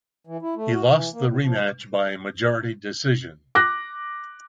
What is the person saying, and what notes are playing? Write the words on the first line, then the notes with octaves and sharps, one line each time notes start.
He lost the rematch by majority decision.
E3
E4
A3
F#4
E3
A#3
A2
F3
D6 F#6 A#6